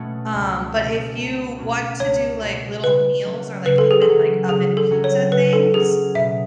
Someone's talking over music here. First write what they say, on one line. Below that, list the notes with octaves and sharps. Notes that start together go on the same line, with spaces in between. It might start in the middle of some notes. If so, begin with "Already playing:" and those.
Um, but if you want to do, like, little meals or, like, even, like, oven pizza things,
Already playing: B2 A3 C#4 F#4
C#2
B2 A3 C#4 F#4
C#2
B2 A3 C#4 F#4
C#2 C#5
B2 A3 C#4 F#4
C#3 B4
F#3 C#4 F#4
C#3 B4
A4
G#4
A4
F#3 C#4 F#4
C#3 G#4
A4
F#3 C#4 F#4
C#5
C#3 B4
A4
F#3 C#4 F#4 G#4
B2 E5